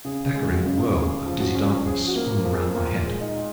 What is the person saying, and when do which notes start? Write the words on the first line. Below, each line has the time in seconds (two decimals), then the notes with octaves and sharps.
A staggering whirl of dizzy darkness swung round my head.
0.05 C#3 G#4
0.35 G#3
0.51 F#4
0.66 C#3
0.95 C#3 G#4
1.26 F3
1.40 F#4
1.55 C#4
1.86 F3 G#4
2.08 F#4
2.16 A#3
2.45 F3
2.53 G#4
2.75 A#2 A#3 A#4
3.05 G#3
3.20 D#4 D#5
3.36 A#2